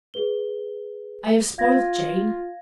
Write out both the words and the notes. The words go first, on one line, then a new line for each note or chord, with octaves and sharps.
I have spoiled Jane.
G#4 B4 G7
F4 F5 G#6 A#6